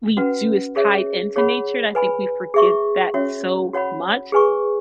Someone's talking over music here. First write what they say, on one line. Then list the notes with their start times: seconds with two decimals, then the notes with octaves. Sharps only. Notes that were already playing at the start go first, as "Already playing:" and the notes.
We do, it's tied into nature and I think we forget that so much
0.17 C#4 F#4 B4 F#5
0.76 G#4 C#5 E5
1.36 G#4 C#5 F#5 B5
1.95 B4 G#5 B5
2.54 G#4 E5 C#6
3.14 C#4 F#4 C#5 E5
3.73 F#4 C#5 F#5 B5
4.32 G#4 B4 G#5 C#6